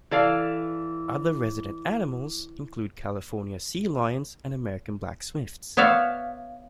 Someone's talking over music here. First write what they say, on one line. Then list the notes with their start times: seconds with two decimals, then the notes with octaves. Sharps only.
Other resident animals include California sea lions and American black swifts.
0.11 E3 A4 D5 F5
5.77 B3 C#5 D5 E5 F5